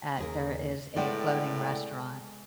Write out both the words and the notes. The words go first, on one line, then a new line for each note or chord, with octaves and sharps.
at there is a floating restaurant
D#2 G#4 A#4
A2 G#3 B3 A4 D5 F#5 G5